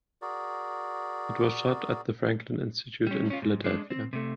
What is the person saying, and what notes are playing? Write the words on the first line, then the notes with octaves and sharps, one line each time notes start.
It was shot at the Franklin Institute in Philadelphia.
F#4 G#4 A#4 D5
G3 C#4
C#4 F4
G#2
G#3 D4
C4
C3 A3